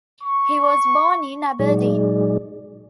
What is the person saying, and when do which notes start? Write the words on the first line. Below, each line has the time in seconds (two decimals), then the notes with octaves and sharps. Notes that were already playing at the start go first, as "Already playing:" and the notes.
He was born in Aberdeen.
0.22 C#6
1.59 A#2 F#3 G#3 D#4 G#4 D5